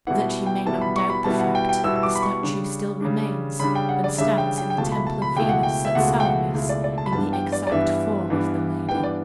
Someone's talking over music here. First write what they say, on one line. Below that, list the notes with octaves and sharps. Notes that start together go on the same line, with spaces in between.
That you may not doubt the fact, the statue still remains, and stands in the temple of Venus at Salamis, in the exact form of the lady.
B2 G3 B3 E4 F#5
G5
B2 G3 B3 E4 A5
B5
C#6
B5
B2 G3 B3 E4 A5
F#5
G5
G5
B2 G3 B3 E4 E6
E6
D6
B5
C#6
C#3 G3 D4
C#3 G3 D4
C#3 G3 D4 B5
G5
F#5
D5
C#3 G3 D4 E5
G5
G5
G5
C#2 B2 A3 E4 A5
B5
A5
B5
C#2 B2 A3 E4 G5
F#5
G5
E5
C#2 B2 A3 E4 F#5
G5
F#5
C#2 B2 A3 E4
D5
D5
A5
B5
G2 E3 B3 D4 A5
G5
D5
D5
G2 E3 B3 D4 E5
G2 E3 B3 D4
G2 E3 B3 D4 G5
D5